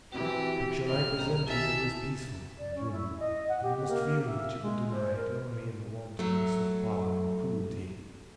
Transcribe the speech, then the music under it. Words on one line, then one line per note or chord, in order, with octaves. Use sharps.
The picture I present to you is peaceful and human, and you must feel that you could deny it only in the wantonness of power and cruelty.
E3 C4 F#4 G4
A2 C#3 D#5 G5 F6
B1 B3 G4 A#5
D#3 E4 E5 G#5 A5
D5
C#4
E4
D#5
F#5
G4
A#3
E5
G#3
C5
A#4
F#3 A3